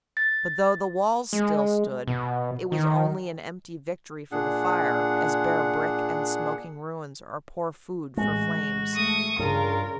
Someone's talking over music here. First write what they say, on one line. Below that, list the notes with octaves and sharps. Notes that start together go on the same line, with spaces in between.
But though the walls still stood, it was only an empty victory for the fire, as bare brick and smoking ruins are poor food for flames.
A6
G#3
B2
D#3
A#2 D4 G#4 F#5
A1 G#3 F#4
A3 C#6 D#6
G2 C#3 F4 A#4